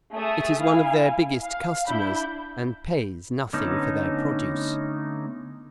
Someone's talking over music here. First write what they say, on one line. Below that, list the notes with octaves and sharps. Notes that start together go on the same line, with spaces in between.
It is one of their biggest customers, and pays nothing for their produce.
A3 G#4 E5 A5 D#6
E4 F5 G#5
F5
D4 E4 B5 G6
D3 A3 B3 C#4 D#4